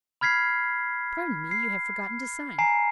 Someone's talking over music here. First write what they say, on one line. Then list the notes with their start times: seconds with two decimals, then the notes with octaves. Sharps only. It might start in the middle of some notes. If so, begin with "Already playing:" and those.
"Pardon me, you have forgotten to sign."
0.21 B5 F6 G#6 B6 C7
1.51 C7
2.58 G#5 A#5 C7